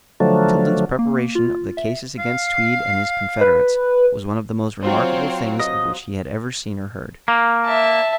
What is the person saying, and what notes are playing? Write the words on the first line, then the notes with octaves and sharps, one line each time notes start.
Tilden's preparation of the cases against Tweed and his confederates was one of the most remarkable things of which he had ever seen or heard.
D3 F3 F#3 A3
A#3
F4
E5
F5
C7
B4
F#3 C4 F4 C5 C#5
D#5
A#3
E5 A5